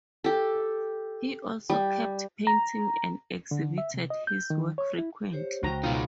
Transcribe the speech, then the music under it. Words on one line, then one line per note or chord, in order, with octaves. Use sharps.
He also kept painting and exhibited his work frequently.
G4 A4
G3
A#5
D3
E5
C3
D#5
G6
D#3
C#5
E4
G4 C5 C#5
C#2 F#4 C5 G5 A#5
B2 D#4 F4